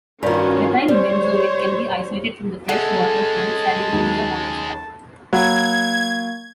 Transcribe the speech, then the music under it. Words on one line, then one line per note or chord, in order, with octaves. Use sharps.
Methyl benzoate can be isolated from the freshwater fern "Salvinia molesta".
G2 D#3 C#4 F4 F#4
G3 C5 C#5
G#3 C#4 G#4 A4 E5 F#5 A5
D#2 F#3
F#3 A#3 G#6